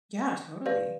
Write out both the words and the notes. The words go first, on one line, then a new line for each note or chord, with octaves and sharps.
Yeah, totally.
G4 B4 D5 F5